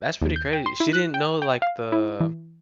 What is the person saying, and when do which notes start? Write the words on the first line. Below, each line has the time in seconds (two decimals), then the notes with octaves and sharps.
That's pretty crazy. She didn't know, like, the
0.22 D#2
0.36 G6
0.53 G5
0.66 C6
0.80 E4
0.93 F#6
1.14 G5
1.42 G5
1.62 F5
1.92 E4
2.20 E3